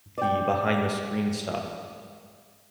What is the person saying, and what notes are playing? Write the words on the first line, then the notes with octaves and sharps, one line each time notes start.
the behind the screen stuff.
D5 G5